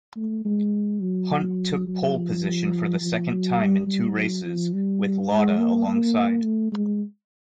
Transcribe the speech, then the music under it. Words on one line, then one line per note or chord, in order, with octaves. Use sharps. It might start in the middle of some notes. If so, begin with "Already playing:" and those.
Hunt took pole position for the second time in two races, with Lauda alongside.
A3
G#3
F#3
F#3
F3
F3
F#3
G3
G3
F#3
F3
G3
G#3
A#3
A#3
A3
G#3